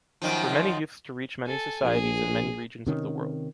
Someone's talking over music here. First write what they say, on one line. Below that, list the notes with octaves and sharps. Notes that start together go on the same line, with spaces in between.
For many youths to reach many societies in many regions of the world.
F#2 D#3 F3
A4 G#5
A#1 G#4
C3 D#3 C#4